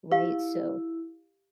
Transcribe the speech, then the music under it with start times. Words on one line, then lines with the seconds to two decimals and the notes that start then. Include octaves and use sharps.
right, so
0.12 E4 G4 F5